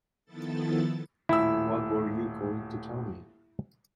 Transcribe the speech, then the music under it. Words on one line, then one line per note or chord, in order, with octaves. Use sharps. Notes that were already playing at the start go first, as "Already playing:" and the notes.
What were you going to tell me?
D#3 F3 B3 E4 A4 A6
D#1 A2 E4 E6